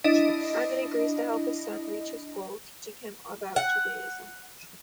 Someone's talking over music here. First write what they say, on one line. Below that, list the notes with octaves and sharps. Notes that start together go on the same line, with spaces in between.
Hyman agrees to help his son reach his goal, teaching him all about Judaism.
D4 E4 D#5
F#5